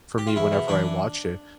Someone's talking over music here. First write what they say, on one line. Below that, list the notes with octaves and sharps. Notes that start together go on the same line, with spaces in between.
for me whenever I watch it.
G4
F4
E2 E4
B2
E3 D4